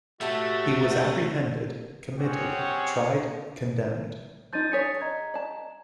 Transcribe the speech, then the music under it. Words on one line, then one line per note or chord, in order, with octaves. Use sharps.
He was apprehended — committed — tried — condemned.
A2 A3 F#4 G4 E5 A5
C4 C#4 G4 G#4 C#5 F#5
F3 D#4 G6 A6 D#7
D4 G#4 C#5 A6 B6 C#7
D#5 A#5 G#6
D5 A5